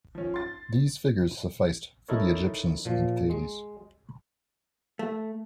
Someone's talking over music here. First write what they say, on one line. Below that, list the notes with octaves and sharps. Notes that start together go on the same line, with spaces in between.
These figures sufficed for the Egyptians and Thales.
F3 C#4
C6 A6
D#4 E4 A4 A#4 C#5
A#2 F3
G#3
A3